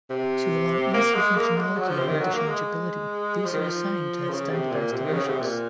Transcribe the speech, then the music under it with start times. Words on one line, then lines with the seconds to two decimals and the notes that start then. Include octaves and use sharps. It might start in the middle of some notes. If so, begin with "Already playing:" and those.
To allow easy functionality and inter-changeability, these are designed to have standardised dimensions.
0.10 C3
0.94 A#3
1.15 G#3
1.36 A#3
1.56 G#3
1.78 F#3
1.88 F3
1.98 C3
2.09 D#3
2.20 F#3
2.33 A#3
2.47 G#3
3.45 F3
3.53 D#3
3.60 F3
4.30 C#3
4.50 C3
4.71 A#2
4.92 C3
5.05 D#3
5.13 C#3
5.27 C3
5.41 A#2